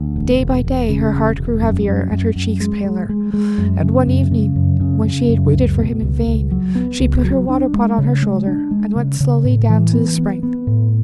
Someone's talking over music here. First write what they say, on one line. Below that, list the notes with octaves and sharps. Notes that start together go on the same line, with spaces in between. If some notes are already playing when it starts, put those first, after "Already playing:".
Day by day her heart grew heavier and her cheeks paler, and one evening, when she had waited for him in vain, she put her water-pot on her shoulder and went slowly down to the spring.
Already playing: D2
E1
E1
E1
C#3
E1
E1
F#2
F#2
F#2
F#2
G#3
G#3
G#3
G#3
F#2
C#3
F#2
C#3
F#2
C#3
C#3
F#2
C#2
B2
C#2
C#2
F#3
B3
C#2
F#3
D4
G#3
C#3
G#3
D4
G#3
C#3
C#3
A2
E3
B3
B3
B3
A2